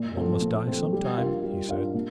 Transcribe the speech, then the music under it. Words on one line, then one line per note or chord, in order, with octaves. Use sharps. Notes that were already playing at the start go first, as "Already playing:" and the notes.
"One must die sometime," he said.
Already playing: A#2
F3 A3 C4
A#2
F3 A3 C4
G3
D4 F4 A#4 F5
G3
D4 F4 A#4 F5
A#2